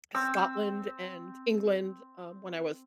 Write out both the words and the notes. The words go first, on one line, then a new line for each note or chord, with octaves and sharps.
Scotland and England, um, when I was,
C4 E6